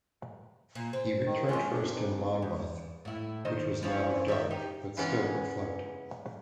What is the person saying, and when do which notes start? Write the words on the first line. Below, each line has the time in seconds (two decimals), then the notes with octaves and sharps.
He returned first to "Monmouth", which was now dark but still afloat.
0.75 A#2
0.93 C4
1.26 D#3
1.49 F2 F#3 G#3 C#4 F4
1.74 D4 G4
1.90 G#2
2.42 E2
3.05 A2 E4
3.45 D#3 C5 D#5
3.83 F3 C#4 E4
4.28 D#3 E5
4.50 D#4 G4
4.97 C#3 E3 G#3 B3 C#4